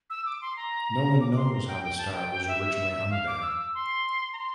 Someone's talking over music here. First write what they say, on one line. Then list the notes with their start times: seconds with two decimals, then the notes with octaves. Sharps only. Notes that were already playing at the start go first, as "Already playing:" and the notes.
No one knows how the star was originally hung there.
0.10 E6
0.25 D6
0.41 C6
0.56 A#5
1.21 D6
1.36 C6
1.53 A#5
1.67 G5
1.84 G5
1.98 A5
2.11 G5
2.47 E5
3.10 F5
3.27 D6
3.42 E6
3.59 E6
3.74 C6
4.33 A#5
4.38 C6